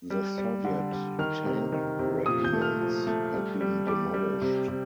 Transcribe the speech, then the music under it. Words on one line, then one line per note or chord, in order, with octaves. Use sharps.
The Soviet tank regiments had been demolished.
G3
G3
D3
G3
D#3 F6
C3
D#3
C3
A#2 D#6
G6
A3
F6
F3
A3
G3
G3
G3 D6
G3
C3
C3